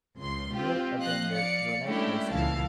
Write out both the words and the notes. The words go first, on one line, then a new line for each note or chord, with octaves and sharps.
Neal attended Granite High School.
C#2 C6
C4 F4 G4
F3 D#5 F5 F#6
D5 F5 C#7
G#3 A3 C#4 D4 E4 G4
C#2 A#2 E3 E4 F5 A5